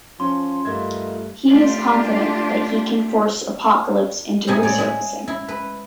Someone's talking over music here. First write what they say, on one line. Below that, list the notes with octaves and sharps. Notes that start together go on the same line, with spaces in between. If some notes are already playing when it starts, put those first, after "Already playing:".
He is confident that he can force Apocalypse into resurfacing.
F3 C#4 C6
G2 A3 F4 A#4 D#5 E5 G#6
A3 D4 F4 G4
A2 C3 G#3 D#4 E5 G#5
C#5 D5
G#3 E5
E4
B4